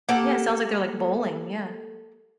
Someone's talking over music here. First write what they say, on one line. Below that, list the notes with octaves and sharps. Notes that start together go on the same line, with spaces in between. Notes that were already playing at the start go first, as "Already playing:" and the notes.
Yeah, sounds like they're, like, bowling, yeah.
A#3 G4 A4 F#5